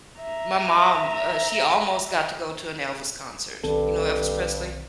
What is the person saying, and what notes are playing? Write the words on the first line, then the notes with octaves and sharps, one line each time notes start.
my mom, uh, she almost got to go to an Elvis concert, you know, Elvis Presley?
E5 A#5
B1 G2 D#3 C4 A4